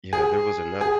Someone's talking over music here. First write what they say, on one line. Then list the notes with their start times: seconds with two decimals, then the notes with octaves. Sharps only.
yeah, there was another
0.13 G#4
0.81 G#4